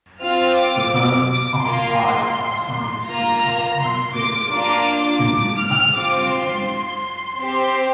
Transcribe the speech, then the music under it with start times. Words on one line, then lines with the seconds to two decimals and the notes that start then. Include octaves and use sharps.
The bones occupied by sinuses are quite variable in these other species.
0.21 C4 F4 F6
0.57 D6
1.29 D6
1.65 A#3 F4 C6
3.08 A#3 F4 A#5
3.80 C6
4.16 D6
4.52 A#3 D4 F4 D6
4.88 D6
5.60 F6
5.96 C4 F4 D6
6.32 C6
7.39 C4 G4 C6